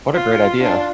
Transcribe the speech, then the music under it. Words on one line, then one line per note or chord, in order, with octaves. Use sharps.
What a great idea.
F4
D4 F4